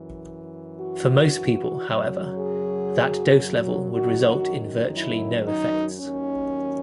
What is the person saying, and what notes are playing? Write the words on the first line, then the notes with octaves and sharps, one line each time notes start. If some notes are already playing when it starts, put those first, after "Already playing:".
For most people, however, that dose level would result in virtually no effects.
Already playing: F#2 E3
F#4
F#2 C#3 F#3
G#4
F#2 D#3 F#3 F#4
E4
D#4
D#2 D#3 F#3 C#4